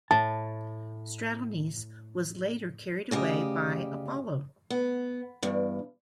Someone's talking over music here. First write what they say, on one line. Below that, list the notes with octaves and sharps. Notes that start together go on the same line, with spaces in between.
Stratonice was later carried away by Apollo.
A2 A5
D2 C#3 G4 D#5
B3
E2 G2